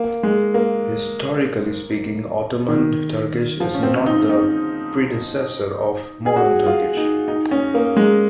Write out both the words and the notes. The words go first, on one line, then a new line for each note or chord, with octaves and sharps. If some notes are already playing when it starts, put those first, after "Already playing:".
Historically speaking, Ottoman Turkish is not the predecessor of modern Turkish.
Already playing: A#3
G#3
A#3
D#3
F3
C#4
C4
D#4
D#4
G#4
F#4
F4
D#4
D#4
C#4
A#3
G#3